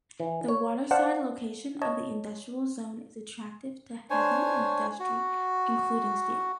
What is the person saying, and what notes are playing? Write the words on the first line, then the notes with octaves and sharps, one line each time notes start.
The waterside location of the industrial zone is attractive to heavy industry including steel.
E3
C#5
C5 D5 F5 F#5 A5
C#5 D#5 A5
D4 C5 C#5 G#5
F#4